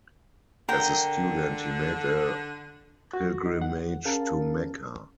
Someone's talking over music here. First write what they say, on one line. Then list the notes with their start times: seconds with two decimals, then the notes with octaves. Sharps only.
As a student, he made a pilgrimage to Mecca.
0.69 D3 A#4 G5
3.13 F#4
3.46 D#4
3.62 F#5
4.05 C#4 G#4 A#4 F5 A5